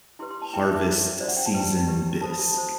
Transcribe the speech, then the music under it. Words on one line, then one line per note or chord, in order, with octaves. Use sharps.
harvest season bisque.
E4 G4 B4 C6
C6
A5
E4 G4 B4 G5
E5
E5
F#4 C5
F#4 C5 D5
F#5
G5
A5
E4 G4 B4 G5
E4 G4 B4
F#4 A4 C5 A5
B5
A5
F#4 A4 C5